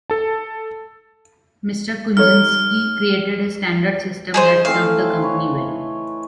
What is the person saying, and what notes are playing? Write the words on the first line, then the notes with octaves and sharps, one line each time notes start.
Mr. Kunczynski created a standard system that served the company well.
A4 A5
D#4 A4 C#5 F6
G#4 B4 C5 D#5
E3 A3 C4 F5
B4 C#5